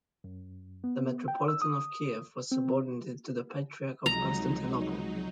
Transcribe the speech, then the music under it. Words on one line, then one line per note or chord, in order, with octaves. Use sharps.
The metropolitan of Kiev was subordinated to the Patriarch of Constantinople.
F#2
B3
G5
E6
D#6
C4
C#2 C3 F3 F#3 G#3 D#4 A#5